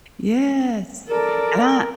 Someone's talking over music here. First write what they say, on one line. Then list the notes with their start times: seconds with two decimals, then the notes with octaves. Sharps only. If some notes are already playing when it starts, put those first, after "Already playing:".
Yes, and I
1.08 A4 A#4 D5